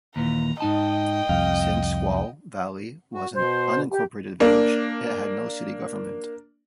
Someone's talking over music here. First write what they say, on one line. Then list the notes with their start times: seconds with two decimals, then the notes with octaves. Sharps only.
Since Squaw Valley was an unincorporated village it had no city government.
0.16 D#2 A#2 E3 A#5
0.60 G#2 D#4 D#5 G5 A5
1.29 C2 F2 F5
3.15 F#4
3.34 B2 C5
3.90 G4
4.40 A#3 D4